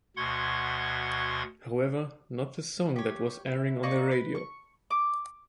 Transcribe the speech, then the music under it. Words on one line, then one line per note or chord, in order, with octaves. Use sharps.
However, not the song that was airing on their radio.
D2 B2 F#5 C6 C#6 G#6
G4 C#5
E4
A#3 D#4 D5 C#6
B4
C#6
D6